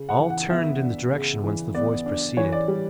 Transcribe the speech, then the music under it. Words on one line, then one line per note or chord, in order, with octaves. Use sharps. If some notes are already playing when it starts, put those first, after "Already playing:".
All turned in the direction whence the voice proceeded.
Already playing: C#3
F#5
E3
F#5
B3 E5
D4
C#3
E3
B3 D5
D4
E3 C#5
D5
G3